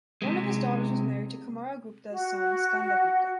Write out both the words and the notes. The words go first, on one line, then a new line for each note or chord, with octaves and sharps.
One of his daughters was married to Kumara Gupta's son Skanda Gupta.
C3 G#3
F#4